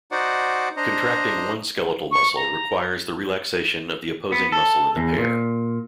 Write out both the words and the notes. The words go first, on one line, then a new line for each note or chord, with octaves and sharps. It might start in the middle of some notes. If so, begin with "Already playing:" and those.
Contracting one skeletal muscle requires the relaxation of the opposing muscle in the pair.
D#4 F#4 C5 D5 F#5
D4 C5 D#5 A#5
C#6
A#5
B3
A4
E2
A#2